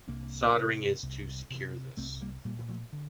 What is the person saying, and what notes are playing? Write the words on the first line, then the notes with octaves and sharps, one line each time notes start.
Soldering is to secure this.
C2 A#3 D4
C3
C2
C3
C2 A3 C4
G3 A#3
A#2 G3 A#3
F3 A3
D3